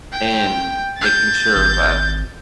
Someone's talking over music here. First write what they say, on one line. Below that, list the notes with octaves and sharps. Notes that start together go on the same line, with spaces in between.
and making sure that
G5
G6 A6
G#1